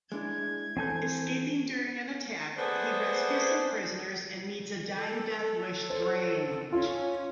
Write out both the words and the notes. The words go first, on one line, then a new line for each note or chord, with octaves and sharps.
Escaping during an attack, he rescues some prisoners and meets a dying Deathwish Drang.
G#3 D4 E4 G#6
E3 C4 A4 G#5 G6
A3 B3 G#4 C5 D5
A4
C5
C#4 F4